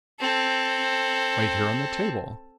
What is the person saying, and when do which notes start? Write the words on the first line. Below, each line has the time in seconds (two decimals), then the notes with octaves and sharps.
Right here on the table.
0.20 C4 A4